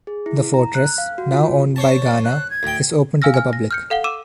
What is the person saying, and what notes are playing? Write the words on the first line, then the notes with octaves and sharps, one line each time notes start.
The fortress, now owned by Ghana, is open to the public.
G#4
E4
A#5
F#6
F5
F#4
F4
C5 C#5 A5
D5
F#6
G#6
D2 G5
F5 G#5 E6 F6 A#6
G#5 F6
A#6
F6 G6 C#7
A4 F5 F#5 G7
D6 E6 D#7 E7